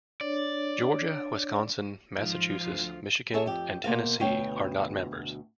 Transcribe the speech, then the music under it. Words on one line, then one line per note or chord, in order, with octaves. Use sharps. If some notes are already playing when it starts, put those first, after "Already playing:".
Georgia, Wisconsin, Massachusetts, Michigan, and Tennessee are not members.
D4 C#5 D5
G#2 F3 F4 D7
D2
G#4 A4 C#5 E5
F2 G4
B2 A#3 C5 F5
D2 B2 B3 C#5 G5